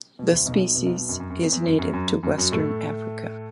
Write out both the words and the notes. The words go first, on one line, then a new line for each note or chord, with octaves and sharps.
The species is native to western Africa.
B2
D2 D3
B1 B2
B1 B2
B1 B2
B1 B2
B1 B2
F#2
F#2
F#2
E2
E2
F#2
F#2
F#2 F#3
F#2
F#2 F#3
A2 A3